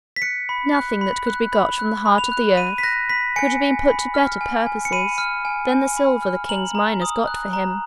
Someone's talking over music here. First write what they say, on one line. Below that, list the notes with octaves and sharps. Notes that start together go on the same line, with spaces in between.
Nothing that could be got from the heart of the earth could have been put to better purposes than the silver the king's miners got for him.
B6
F#6 C#7
B5
F#6
B5
F#6
B5
F#6
B5
F7
F#6
B5 D#7
B6
F#6 A#6
B5 B6
G#5 C#7
G#5
B5
F6
G#5
G#5
C#7
B5 D#7
F6
G#5
G#5
B5
F6
A#5 F#7
A#5
D#6
F#6
A#5